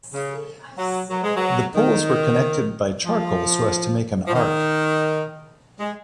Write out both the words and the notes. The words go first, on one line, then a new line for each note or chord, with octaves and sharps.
The poles were connected by charcoal so as to make an arc.
C#3
F#3
F#3
G#3
F#3
D#3
F3
F3
D#3
G#3